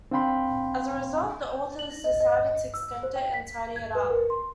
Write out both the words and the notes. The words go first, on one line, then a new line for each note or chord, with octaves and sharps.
As a result, the authors decided to extend it and tidy it up.
C4 D4 F5 G5 B5 C6
F#7
D#5
D#5
E6
C5
G5
B6
G#6
B4
A#4
C6